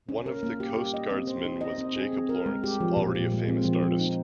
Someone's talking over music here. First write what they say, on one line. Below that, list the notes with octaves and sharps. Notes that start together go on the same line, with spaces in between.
One of the Coast Guardsmen was Jacob Lawrence, already a famous artist.
C#4
A#4
A#3
G4
G4
D#5
C4
C5
D#4
D#5
C4
G#4
C4
A#4
G#3
G4
F3
A#2
A#2
G#3
C4
F3
F3
D#4